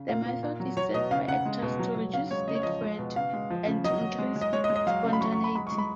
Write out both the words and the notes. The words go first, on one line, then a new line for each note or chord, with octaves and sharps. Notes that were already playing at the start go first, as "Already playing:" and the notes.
The method is said by actors to reduce stage fright and to increase spontaneity.
Already playing: C#3
A#2 F5
A#2
A#2
F#3
F#3 C#5
B2 D#5
C#3 F5
C#3 F#5
G#3
B2
F#3
F#3
C#3 F5
G#3 C#5
C#3 D#5
C#5
F3 D#5
G#3
B2
C#3 F5
G#3
F3
C#3
F#3 D#5
F#3
G#3
G#3
D#5
G#3 C#5
D#5
G#3
D#5
F#3 F5
C#3
B5
F#3 C#6
C#6
F#3
B5
G#3 B5
C#6
G#3
B5